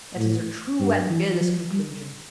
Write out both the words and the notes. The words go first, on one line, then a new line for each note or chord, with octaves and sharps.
That is a true and fearless conclusion.
A2
G2
E3
F3
G3